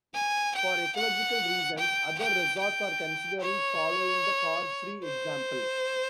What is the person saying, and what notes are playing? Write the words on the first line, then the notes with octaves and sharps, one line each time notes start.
For ecological reasons other resorts are considering following the car-free example.
G#5
G5
F#5
G5
G5
G5
C#5
C5